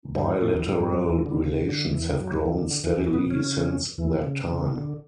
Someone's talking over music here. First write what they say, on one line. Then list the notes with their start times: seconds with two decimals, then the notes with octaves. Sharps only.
Bilateral relations have grown steadily since that time.
0.16 G2 G3
0.41 A2 A3
0.54 E2 E3
0.67 F#2 F#3
0.80 G2 G3
0.92 F#2 F#3
1.09 E2 E3
1.26 D3
1.44 C#3
1.69 D3
1.94 E2 E3
2.20 F#2 F#3
2.45 E2 E3
2.59 D3
2.71 D3
2.84 E2 E3
2.96 E2 E3
3.13 B2 B3
3.31 C#3 C#4
3.98 E2 E3
4.24 C#3
4.50 C#3
4.76 D3